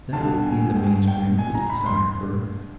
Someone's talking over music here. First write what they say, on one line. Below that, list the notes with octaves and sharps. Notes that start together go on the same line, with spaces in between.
And that will be the mainspring of his desire for her.
D#2 D3 G3 A5
G#5
G#5
G5
G5
G#5
A#5
B5
C6